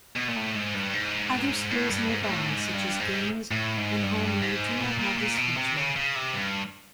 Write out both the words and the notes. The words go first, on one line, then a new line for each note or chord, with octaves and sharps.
Other schools nearby, such as Gaynes and Hall Mead do not have this feature.
B2
A#2
A2
G#2
G2
G#2
A2
G2
G#2
G#2
A2
G#2
G2
G#2
A2
G#2
G2
G#2
A#2
A#2
A#2
B2
C3
C#3
C#3
C3
G2